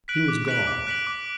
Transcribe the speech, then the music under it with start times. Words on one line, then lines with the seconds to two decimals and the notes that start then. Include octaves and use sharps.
He was God.
0.08 F#6 B6 D7 F#7
0.28 D6
0.48 F#6 B6 D7 F#7
0.67 D6
0.87 F#6 B6 D7 F#7
1.07 D6